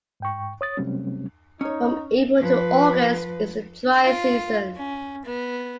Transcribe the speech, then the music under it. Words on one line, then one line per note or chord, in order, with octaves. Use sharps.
From April to August is the dry season.
G#2 G5 C#6
C#5 D#6 A6
C3 F#3 G3 A3 C4 C#4
C#4 D#4 C#5
F3 B4
F4
C#4
B3